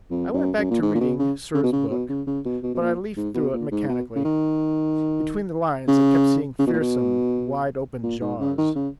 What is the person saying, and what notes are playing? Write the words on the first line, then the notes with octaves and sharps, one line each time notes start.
I went back to reading Sirr's book, but I leafed through it mechanically. Between the lines I kept seeing fearsome, wide-open jaws.
F2
F#2
F#2
A#2
G#2
A#2
B2
C#3
C#3
B2
C#3
B2
C#3
C#3
B2
B2
B2
A#2
G#2
B2
A#2
G#2
B2
C#3
D#3
C#3
C#3
B2
A#2
B2
A#2
G#2
C#3
D#3
C#3